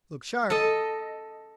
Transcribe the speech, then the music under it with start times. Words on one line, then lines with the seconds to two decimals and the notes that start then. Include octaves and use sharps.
Look sharp!
0.50 A4 D#5